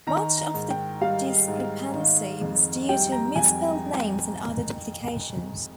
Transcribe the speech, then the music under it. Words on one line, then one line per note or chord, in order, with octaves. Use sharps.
Much of the discrepancy was due to misspelled names and other duplications.
D#3 A#5
A#5
G#2
G5
G3 F5
G#2
D#3
F2
G3 G5
A#5
F2 G#5